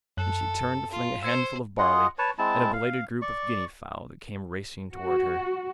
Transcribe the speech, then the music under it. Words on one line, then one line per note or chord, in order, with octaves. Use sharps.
And she turned to fling a handful of barley at a belated group of guinea-fowl that came racing toward her.
F#2 A4 F#6
F4
C5 E6 G#6 C#7
F4 G#4 D#5 F#5
B4 C#5 A5
G#3 C4 E4 A5
F5
D5 C#6
F#4